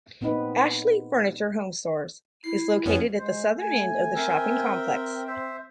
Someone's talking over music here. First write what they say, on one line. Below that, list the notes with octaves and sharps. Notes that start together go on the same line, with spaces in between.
Ashley Furniture HomeStores is located at the southern end of the shopping complex.
A#2 B3 C4 D#4 B4
E4 C7
F2 B3 C#4
G#3 C5
A3 G#5
C4 A#4 E5 G5
C5 E5